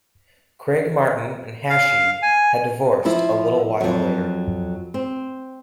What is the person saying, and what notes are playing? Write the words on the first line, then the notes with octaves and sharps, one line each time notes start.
Craig-Martin and Hashey had divorced a little while later.
F5
G#5
F3 E4
F2 F#3
C4